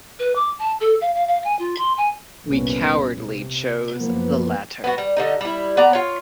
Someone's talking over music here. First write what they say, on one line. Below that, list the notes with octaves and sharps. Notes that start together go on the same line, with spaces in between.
We cowardly chose the latter.
B4
D6
A5
A4
F5
F5
F5
G#5
F4
C6
G#5
C2 F2 A#2 B3 C#4
C3
F#1 F3 A#3 B3
B3 F#4
G3
D3 G3 D#4
G3 E4
B3 D5 A#5
F4 C#5